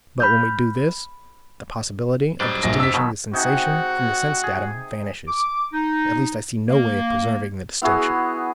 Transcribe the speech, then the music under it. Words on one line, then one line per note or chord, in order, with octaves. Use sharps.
But when we do this, the possibility of distinguishing the sensation from the sense-datum vanishes; at least I see no way of preserving the distinction.
B5 F6 G6
F#3 G3 D4 C5 D#5
A#1 G2 A#6
E6 B6
B2 D#3 F#3
C3 D#4 F#4 G#4
G#4
D6
D#4
A#3
B3 E4 F#4 G#4